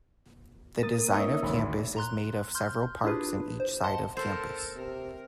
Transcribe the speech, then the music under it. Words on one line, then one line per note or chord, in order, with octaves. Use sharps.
The design of campus is made of several parks in each side of campus.
A#3 A#4 D#6 A6
A#3 C#4 D#4 C#5 E5
G#1 D2 B5
A#5 C6 F#6
C6 F6 G6
D4 E4 F4 G4 G#4 B4
C5
D#5 F#5 A5 C6
A4 A#4 C5
C3 A#4